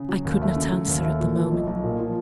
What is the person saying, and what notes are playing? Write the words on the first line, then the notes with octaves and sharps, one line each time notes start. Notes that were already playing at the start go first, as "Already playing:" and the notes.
I could not answer at the moment.
Already playing: C#3
F#3
D#2
A3
C#3
F#3
D#2
A3
A#2
F3
B1
B1
A#2
F3